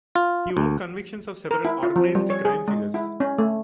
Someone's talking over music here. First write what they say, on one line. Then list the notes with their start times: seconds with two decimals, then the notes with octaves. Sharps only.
He won convictions of several organized crime figures.
0.15 F4
0.57 D2
1.51 A#4
1.65 E4
1.83 F4
1.96 F3
2.15 G3
2.30 C#5
2.45 G#4
2.68 G#3
2.94 E4
3.20 C#4
3.38 A3